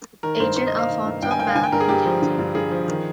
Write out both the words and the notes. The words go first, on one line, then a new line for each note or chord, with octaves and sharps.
Agent Alphonso "Mack" MacKenzie.
D#3 A#4
G2 C5
G2 C5
D#5
A#3
F5
D#3
G2
G2 G5
G#5
A#3 G5
F5
D3 G#5
G5
G2 A#4
G#4
G2 G4
F3
D3
G2
G2 G#4
F3
D#3